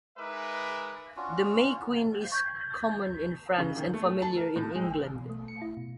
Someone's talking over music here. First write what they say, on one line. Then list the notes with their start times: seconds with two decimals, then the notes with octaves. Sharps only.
The May Queen is common in France and familiar in England.
0.19 G#3 D#4 A#4 B4 E5 D6
1.16 C#4 D4 F4 F#4
2.32 C#6 G6 G#6
3.58 C#3
3.76 D#3
3.94 A3
4.05 A3
4.22 A5
4.37 A#4
4.56 A2
4.75 G#3
5.15 B2
5.30 A3
5.48 C#7
5.62 E4
5.77 B2